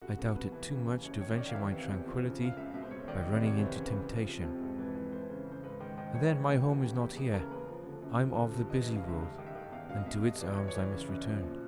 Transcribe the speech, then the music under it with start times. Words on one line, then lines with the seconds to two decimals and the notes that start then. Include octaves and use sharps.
I doubt it too much to venture my tranquillity by running into temptation: and then my home is not here. I'm of the busy world, and to its arms I must return.
0.02 C2 F#4
0.19 B2 F#4
0.35 B2 B4
0.52 E3
0.70 C#3
0.87 D#2
1.03 F#2 C#5
1.20 D#3 C#5
1.38 D#3 D5
1.48 F5
1.54 E3 E5
1.71 C3
1.88 E2
2.06 F3
2.23 C#3
2.40 F#2
2.45 F5
2.57 C#2 E5
2.74 B2 E5
2.82 C5
2.91 B2 C#5
3.08 D#3 D5
3.21 C3 D#5
3.34 D5
3.42 C2 C#5
3.59 E3 C5
3.76 C#3
3.84 B4
3.93 C#2
4.10 F3
4.27 C3
4.44 F2
4.61 G#2
4.78 E3
4.95 E3
5.12 E3 C5
5.29 C#3
5.46 C#2
5.52 C5
5.63 G#2 B4
5.80 D#3 C5
5.97 D#3 C5
6.15 E3 C#5
6.31 C#3
6.40 B4
6.49 D#2
6.65 E3 F#4
6.83 C#3 G4
7.00 E2 G4
7.17 E3 G#4
7.34 C#3 A#4
7.51 D#2 B4
7.68 F3
7.84 D3
8.02 F#2
8.19 F3
8.36 D3
8.53 G2
8.70 E3 D#5
8.83 D#5
8.87 C#3
8.96 F5
9.04 C#2 E5
9.21 G2 F5
9.38 D#3
9.46 E5
9.55 D#3
9.72 E2 F5
9.89 B2 F5
9.98 D#5
10.06 B2 E5
10.23 G2 D#5
10.40 E3 D5
10.57 E3 C#5
10.68 C#5
10.74 E3 D5
10.91 C#3
11.08 F#2
11.26 F3
11.43 A#2